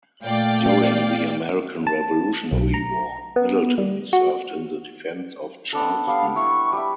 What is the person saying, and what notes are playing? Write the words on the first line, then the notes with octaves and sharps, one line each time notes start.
During the American Revolutionary War, Middleton served in the defense of Charleston.
A#2 A3 D5 F5 G5
A5
B1
A#5
B3
G3
F#4
B3 D4 A4
G3 B3 F5
E4 C#6
G3 E5